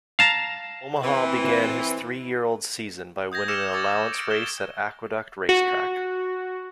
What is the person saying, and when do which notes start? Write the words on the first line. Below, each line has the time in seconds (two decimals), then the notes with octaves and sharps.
Omaha began his three-year-old season by winning an allowance race at Aqueduct Race Track.
0.19 F5 A5 A#5
1.04 E3 C4
3.32 D#6 G6 G#6 A#6
3.48 D6 E6 F6 C#7 E7 F7
3.73 C#6 D6 E6 G#6 A6 C#7
4.13 G6 D7
4.30 G#6 E7 G7
5.49 F#4